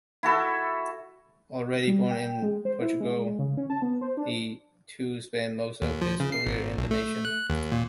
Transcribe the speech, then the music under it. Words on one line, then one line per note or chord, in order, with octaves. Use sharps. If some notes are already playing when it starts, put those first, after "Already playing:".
Already born in Portugal, he too spent most of his career in the nation.
E4 F#4 A4 E5
G3
G5
G#3
C5
E4
G#3
C#3
C#4
A5
B3
C5
D4
D#2
F3
C#3
C7
G#1
B1
A3
F#6
D#2
A#2